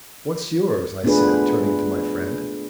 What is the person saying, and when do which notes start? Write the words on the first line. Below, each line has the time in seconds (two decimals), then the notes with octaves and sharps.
"What's yours?" I said, turning to my friend.
1.04 A3 B3 D4 F4 G#4 B4